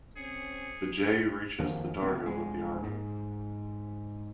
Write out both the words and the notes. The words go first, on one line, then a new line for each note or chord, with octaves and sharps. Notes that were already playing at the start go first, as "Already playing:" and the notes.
Vijay reaches the dargah with the army.
C4 C#4 G#4 C#7
F2 D#3 F3 A#3
F#1 D2 B3 C4
D1 G#3
G#2